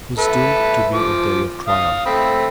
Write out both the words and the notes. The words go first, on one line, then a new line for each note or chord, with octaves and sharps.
It was doomed to be a day of trial.
A4 B4 E5
F3 D6
F5 D#6
A3 C4 B5